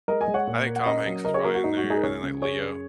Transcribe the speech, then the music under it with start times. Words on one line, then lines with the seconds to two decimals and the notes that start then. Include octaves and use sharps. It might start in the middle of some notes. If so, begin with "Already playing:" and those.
I think Tom Hanks is probably in there and then like Leo.
0.08 G#3 A#4 D#5
0.21 D#5 G#5
0.28 G#3
0.34 C#5 F#5
0.47 A#2
0.66 A#3
0.76 F#5
0.86 C#4 A#4 D#5
1.06 F#3
1.25 C#3 A#4 D#5
1.34 G#4 C#5
1.44 A#3 F#4 A#4
1.55 F#4
1.64 G#2 D#4
1.77 F#4
1.84 G#3
1.90 D#4 G#4
1.97 A#4
2.03 C#2 G#4 C#5
2.23 C#3
2.42 F#2 G#4 C#5
2.61 F#2